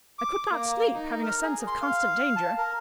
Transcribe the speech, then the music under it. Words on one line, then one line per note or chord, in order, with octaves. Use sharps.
I could not sleep, having a sense of constant danger . . . .
D6
A#3
D#4
A#4
G#4
C6
F5
A5
A#4